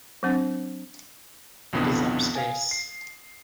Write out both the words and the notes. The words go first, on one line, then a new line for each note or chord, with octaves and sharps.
It is upstairs.
F#3 C4 D4
B1 F2 D3 E3 B3 D#6
F5 G#5
C7